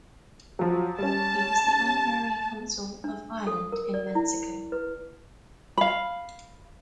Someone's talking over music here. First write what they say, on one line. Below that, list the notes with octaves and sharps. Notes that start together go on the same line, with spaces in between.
He was the honorary consul of Ireland in Mexico.
F3 F#3
G3 C#4 A5
D4
A4
A#4
D5
E4
B4
F5 B5